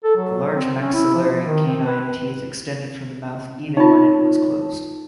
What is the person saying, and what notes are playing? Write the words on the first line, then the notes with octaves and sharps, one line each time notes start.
The large maxillary canine teeth extended from the mouth even when it was closed.
A4
F#3
C4
C#4
E4
F3
D#3
C4
B4
D#4 F4 C#5 A5